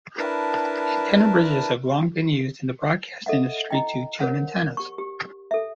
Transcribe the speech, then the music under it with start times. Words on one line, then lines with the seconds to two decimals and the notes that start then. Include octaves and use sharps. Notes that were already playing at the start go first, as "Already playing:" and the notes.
Antenna bridges have long been used in the broadcast industry to tune antennas.
0.19 D4 E4 A#4 B4 A5
3.26 A4 D#5 E5 F#5
3.71 E4 D#5 G5
4.20 A#4 C5 C#5 F#5
4.77 G4 C#6
4.98 G4
5.51 A4 E5